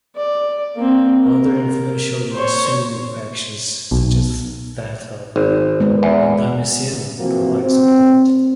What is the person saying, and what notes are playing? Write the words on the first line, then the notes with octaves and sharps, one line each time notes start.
Other influential Masyumi factions, such as that of Wondoamiseno, provided support.
D5
A#3 C4
A#4
C5 C#5
B1
G#1
G#3 B3
E2
C3 E3 F3 A#3 C4 F#4
C4